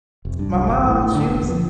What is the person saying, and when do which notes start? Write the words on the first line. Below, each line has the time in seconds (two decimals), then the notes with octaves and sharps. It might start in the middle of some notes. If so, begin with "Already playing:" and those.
my mom, she was
0.25 F1
0.39 G2
0.53 C2
0.69 G#1
0.86 A2
1.03 A2
1.15 D3
1.28 E1
1.49 F3